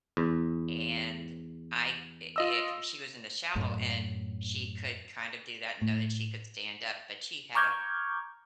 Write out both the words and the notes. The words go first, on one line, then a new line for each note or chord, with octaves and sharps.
And I i if she was in the shallow end, she could kind of do that and know that she could stand up, but she had a
E2
F4 D#5 E6
F#2 A2
A2
A#5 C#6 D6 F6 G6 G#6